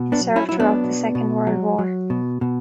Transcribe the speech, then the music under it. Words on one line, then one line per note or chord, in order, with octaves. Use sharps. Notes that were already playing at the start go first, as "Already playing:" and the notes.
It served throughout the Second World War.
Already playing: B2
B3 D4
F#3
C#4 E4
F#3 E4
B3 D4
B2
B2
F#3
F#3
B2
B2